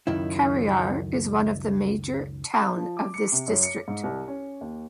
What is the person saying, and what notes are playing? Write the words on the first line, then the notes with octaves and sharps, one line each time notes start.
Khariar is one of the major town of this district.
C#2 F#2 D#3 E4
F3
D6
C#7
C3
F#2
C#7
G#2
C2
C#4
D#2